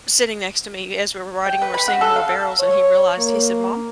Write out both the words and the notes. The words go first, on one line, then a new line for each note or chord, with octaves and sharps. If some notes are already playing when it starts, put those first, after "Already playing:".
sitting next to me as we were riding and we're seeing more barrels and he realized, he said, "Mom"
G5
B4
B5
F#4
A4
F5
C#5
A#3